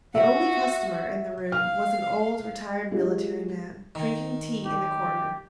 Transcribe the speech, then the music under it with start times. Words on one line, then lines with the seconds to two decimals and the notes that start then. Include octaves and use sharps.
The only customer in the room was an old retired military man drinking tea in a corner.
0.15 F#4 E5
1.52 F5 F6
2.91 G#3 F4 G4 G#4
3.95 D#3
4.66 G4